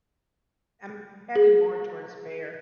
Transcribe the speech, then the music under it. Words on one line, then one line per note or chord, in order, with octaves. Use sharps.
I'm heading more towards bear.
G#4